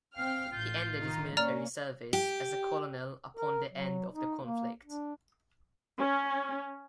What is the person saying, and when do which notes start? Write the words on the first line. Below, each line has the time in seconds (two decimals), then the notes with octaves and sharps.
He ended his military service as a colonel upon the end of the conflict.
0.16 C4 F5 G5 F6
0.52 A1 F4 G6
0.99 D#3 D#4
1.37 A#3 C#4 D5 A#5 F6
2.13 G4
3.37 A#4
3.73 F#3
4.11 D#4
4.43 A#3
4.84 D4
5.97 C#4